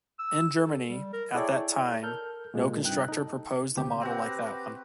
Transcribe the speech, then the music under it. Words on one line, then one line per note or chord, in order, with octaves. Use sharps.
In Germany. at that time, no constructor proposed a model like that one.
E6
A4
G3
A#4
E4 G#4 A4 C#5 D5 G5
A4 A#4 F6 G6
A#2 G#3
G2 C3 D#4 G5 F#6
D#4 A4
D2 C3 G4
C4 F#4 G4 B4